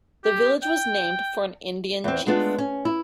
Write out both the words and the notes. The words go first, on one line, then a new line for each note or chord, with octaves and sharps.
The village was named for an Indian chief.
G4
G5
E2 C4
G#3 A3 B3 D4 F4
C#4
E4